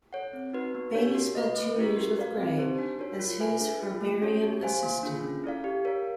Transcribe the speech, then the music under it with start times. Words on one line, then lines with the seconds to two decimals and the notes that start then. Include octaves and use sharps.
Bailey spent two years with Gray as his herbarium assistant.
0.13 A4 C#5 F#5
0.33 C4
0.53 D#4 F#4 B4
0.75 B3
0.95 D4 G4 A#4 C#5
1.15 F#4
1.35 B4 D#5
1.56 A3
1.76 C#4 E4 G4 A#4
1.97 F#4
2.17 B4 D5 F5
2.37 C4
2.58 D#4 G4 C5
2.79 D4
2.99 F#4 A#4 C#5
3.19 F4
3.40 G#4 B4 E5 G#5
3.60 D4
3.81 F4 G#4
4.01 A3
4.22 C#4 F#4 A4 C#5
4.42 G4
4.63 C5 F5 G#5
4.83 A#3
5.03 D4 F4 G#4
5.24 C#4
5.44 E4 A4 D5 F5
5.64 G4
5.85 A#4 C#5 F5